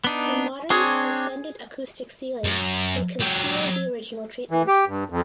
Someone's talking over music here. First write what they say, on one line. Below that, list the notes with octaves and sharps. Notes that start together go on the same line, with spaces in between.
The modern suspended acoustic ceiling may conceal the original treatment.
B3 D4 D#4
C4 D4 G#4 C#5
F#2
F#3 G4
E3
G4
G2
F2